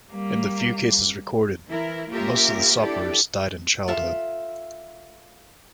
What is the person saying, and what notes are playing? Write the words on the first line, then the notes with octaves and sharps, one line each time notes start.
In the few cases recorded, most of the sufferers died in childhood.
G3 A#3
E3 E4 A#4
A#3 C#4 F4 G4 A#4 E5
D4 E4 G4 A4 D5
F4 A4 E5